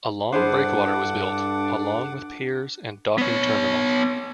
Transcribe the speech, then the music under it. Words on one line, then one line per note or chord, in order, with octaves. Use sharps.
A long breakwater was built, along with piers and docking terminals.
G2 D4 E4 G#4 A4 C5 F#5 D6
B3 C#5